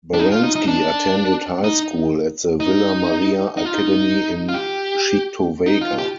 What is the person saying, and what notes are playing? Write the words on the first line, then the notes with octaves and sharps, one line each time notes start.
Baranski attended high school at the Villa Maria Academy in Cheektowaga.
D4
D#4
F4
D#4
D#4
D4
D#4
D#4
D#4
F4
D#4
F4
G4
D#4
F4
G4